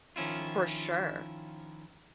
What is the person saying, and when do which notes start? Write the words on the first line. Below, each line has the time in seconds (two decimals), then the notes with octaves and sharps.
For sure.
0.16 D#3 F3 C#4 E4 F4